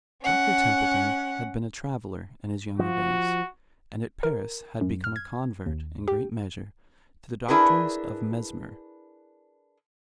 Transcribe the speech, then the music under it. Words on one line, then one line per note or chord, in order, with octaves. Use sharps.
Doctor Templeton had been a traveller in his younger days, and at Paris had become a convert, in great measure, to the doctrines of Mesmer.
C#4 F#5
F3 F#4
A#4
F#2
F6
G#6
D#2
G4
D4 E4 G#4 A#4 B4